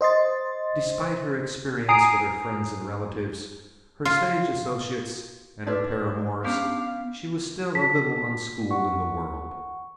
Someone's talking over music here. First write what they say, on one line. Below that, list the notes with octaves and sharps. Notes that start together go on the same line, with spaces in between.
Despite her experience with her friends and relatives, her stage associates, and her paramours, she was still a little unschooled in the world.
C5 D#5 C6 A6
G#5 A#5 D#6 C7 D7
F4
D4 D#4 F#4 B4 D5 E5
B3 C#4 D4 G4 F5
A5 B6
F#5 C#6